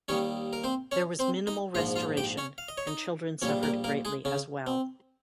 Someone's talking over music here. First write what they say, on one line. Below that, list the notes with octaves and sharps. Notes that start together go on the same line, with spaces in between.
There was minimal restoration and children suffered greatly as well.
D#2 D#3 G3 C#4 C#5
A#4
C4 C5
C#4 C#5
C4 C5
D#4 D#5
A#1 G#2 F3 F4 F5
F4 F5
G4 G5
C#4 C#5
F5
D#5
C#5
D#4 D#5
A#1 A#2 G3 C#4 C#5
A#3 A#4
A#3 A#4
G#3 G#4
C#3 C#4
C4